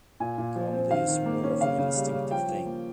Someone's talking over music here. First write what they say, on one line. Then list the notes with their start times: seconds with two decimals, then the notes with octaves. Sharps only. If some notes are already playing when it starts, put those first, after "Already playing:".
Comedy is more of an instinctive thing.
0.20 A#2 G#5
0.38 A#2
0.56 F3
0.73 C4
0.91 D#3 F5
1.08 D#3
1.26 A#3
1.43 C#4
1.61 C#3 F5
1.78 C#3
1.95 G3
2.14 C#4
2.31 F3 G5
2.49 F3
2.66 A#3